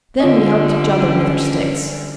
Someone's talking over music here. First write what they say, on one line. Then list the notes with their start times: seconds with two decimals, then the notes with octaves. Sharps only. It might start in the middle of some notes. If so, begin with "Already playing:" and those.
Then we helped each other with our sticks.
0.20 D3 G3 F4 D#5
0.95 C#4